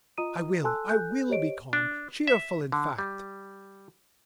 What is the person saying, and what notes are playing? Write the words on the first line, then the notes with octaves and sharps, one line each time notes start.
I will, I will be calm, cheerful, in fact.
F4 D#5 A#5 D#6 D#7
A4 G#5 A5 C6 E6 F#6
A4 G#5 F#6 G6
G4 C5 C#5 D#5 D7
D4
E5
D3
G3